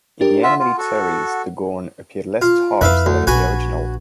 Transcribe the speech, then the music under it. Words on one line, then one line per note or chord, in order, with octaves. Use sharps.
In the animated series, the Gorn appeared less harsh than in the original.
D4 G4 A#4
F4 E5 F#5
F4
F#4 A4
F4
F2 E4 B4 E5 F5
D2
A#1 F#4 B4 G#5